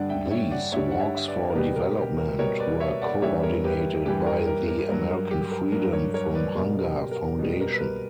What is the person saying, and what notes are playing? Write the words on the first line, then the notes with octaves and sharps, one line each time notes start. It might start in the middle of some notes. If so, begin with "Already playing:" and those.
These "Walks for Development" were coordinated by the American Freedom from Hunger Foundation.
Already playing: G2 D3 G3 D5 F#5
E5 G5
C#5 E5
D5 F#5
G2 D3 G3 C#5 E5
F#5
C#5 E5
E5
B4 D5
A#4
B2 G3 G4 B4
A#4
G4
A#4
B2 G3 A#4 C#5
B4 D5
C#5 E5
D5 F#5
G2 E3 G3 C#5 E5
A#4 C#5
G4 B4
G2 E3 G3 G4
A#4
A#4
A#4
G2 F#3 A#4
A#4
G4
G4
A#4
G2 F#3 A#4
A#4 C#5
A#4 C#5
B4 D5
B2 G3 A#4
A#4
G4
A#4
B2 G3
A#4
B4
A#4